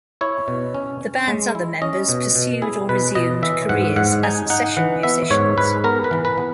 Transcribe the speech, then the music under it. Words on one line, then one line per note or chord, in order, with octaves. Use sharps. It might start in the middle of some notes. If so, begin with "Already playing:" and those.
The band's other members pursued or resumed careers as session musicians.
E4 C#5
B2
C#4
C#4
G#3
E4
C#4 D#5
B2
B2
E4 G#4
B2 B4
B2 D#5
E3 E5
G#2 F#5
G#2 F#5
D#4 G#5
D#4 F#5
E3 F#5
B3 E5
G#2 C#5
G#2 B4
B3 A#4
B4
E3
B4
B3